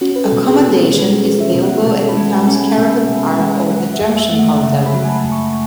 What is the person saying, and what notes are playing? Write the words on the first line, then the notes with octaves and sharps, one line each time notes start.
Accommodation is available at the town's caravan park or the Junction Hotel.
C#4 F#4
B4
A4
B2
G#4
B2
G#4
G#3 B4
C#4
E5
B2
F#5
B2 A5
B5
G#3
G#5
C#4
G#5
B2 E5
B2
G#3 F#5
F#3 F#5
E5
F#2
E5
A3
F#5
C#3 E5
B5
F#3
G#5
A5
F#2
C#6